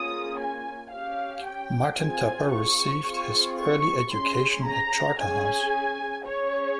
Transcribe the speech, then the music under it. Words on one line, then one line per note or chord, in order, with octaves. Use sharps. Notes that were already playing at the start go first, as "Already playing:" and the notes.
Martin Tupper received his early education at Charterhouse.
Already playing: A#3 C#4 F4 G#4 D#6
G#5
C#4 G4 F5
G5
C4 F4 G#4 G#5
C#6
C4 F4 G#4
C#6
C#4 G#4 C6
A#5
C#4 G#4 G#5
C#4 G#4 C#5